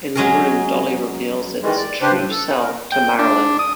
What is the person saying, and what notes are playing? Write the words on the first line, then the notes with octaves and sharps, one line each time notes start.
In the room Dolly reveals its true self to Marilyn.
F#3 G#3 C#4 G#4 A#4
D#3 E3 G3 G#3
D5
C#3 D4 G4 B4 C5
A2
A4
A#4
G5
D4
D#6